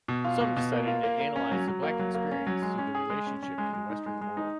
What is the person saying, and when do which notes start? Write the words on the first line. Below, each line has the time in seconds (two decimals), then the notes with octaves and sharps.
Some decided to analyze the Black experience through their relationship to the Western world.
0.08 B2
0.24 F4
0.41 B2
0.57 B2
0.72 A#3
0.87 F4
1.03 A#3
1.20 A#3
1.36 C#4
1.52 F#3
1.68 F#3
1.83 A#3
1.99 F#3
2.15 A#3
2.31 C#4
2.47 F#3
2.62 G#3
2.78 C#4
2.95 G#4
3.10 G#3
3.26 C#4
3.42 C#4
3.58 G#3
3.73 G#3
3.90 D#4
4.06 G#3
4.21 G#3
4.37 D#4